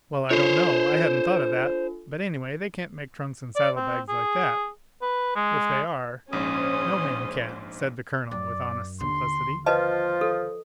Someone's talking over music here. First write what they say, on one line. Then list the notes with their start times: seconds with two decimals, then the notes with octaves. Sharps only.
"Well, I don't know--I hadn't thought of that--but anyway they can't make trunks and saddle-bags like that, if they are--no man can," said the Colonel with honest simplicity.
0.31 D4 F4 A4 C5 C#5
3.56 D5
3.76 C4
4.08 G#4
5.02 B4
5.36 G#3
6.33 A#1 G#2 C#4 C5 D#6
8.31 F#2 D5
9.00 D#2 D3 C6
9.66 F3 F4 B4 D#5 A5
10.21 A4